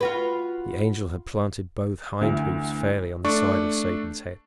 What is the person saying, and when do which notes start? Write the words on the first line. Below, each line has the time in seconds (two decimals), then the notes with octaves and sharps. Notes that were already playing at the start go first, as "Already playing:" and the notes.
The Angel had planted both hind hoofs fairly on the side of Satan's head.
0.01 F4 F#4 B4
2.21 D2 E3
3.25 A3 D4 C#6